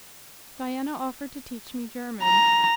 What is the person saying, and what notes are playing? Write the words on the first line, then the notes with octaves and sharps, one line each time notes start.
Diana offered to teach me German.
A#5